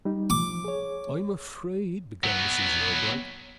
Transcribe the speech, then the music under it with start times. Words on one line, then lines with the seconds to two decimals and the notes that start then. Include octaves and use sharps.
"I am afraid--" began Mrs. Yeobright.
0.05 G3 D#4
0.30 F3 D6
0.65 G#4 C#5
2.24 F#3 B3